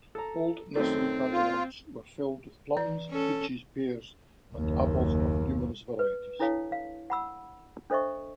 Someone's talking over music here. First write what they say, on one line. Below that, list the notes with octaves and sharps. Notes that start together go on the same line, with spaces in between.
Old nursery catalogues were filled with plums, peaches, pears and apples of numerous varieties.
A4 A#5
F#2 D#3 A3 C4
F4
E3 D5
C#4 A4
F#1 D#2
B4
D4 E4 A4 C#5 F5 A5
F5
F#5 B5 E6
D4 A4 C5 D#5 E5 C#6